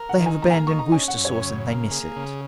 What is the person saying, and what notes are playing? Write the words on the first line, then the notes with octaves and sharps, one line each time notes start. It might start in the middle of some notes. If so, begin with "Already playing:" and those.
They have abandoned Worcester sauce, and they miss it.
Already playing: A#4
F#5
D#3
G#5
A#3 A#5
G#5
A#5
D#4 C#6
A#5
C#4 G#5
F#5
F#2
C#5
C#3
A#3
G#4
C#3